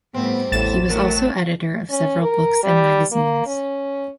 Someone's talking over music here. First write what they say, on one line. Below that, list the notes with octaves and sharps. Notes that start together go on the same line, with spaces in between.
He was also editor of several books and magazines.
A2 G3 B3 C4
A1 E2 A2 A6 E7
A2 F#3 A3 A#4
C#4
A#4
G3
A#3
C#4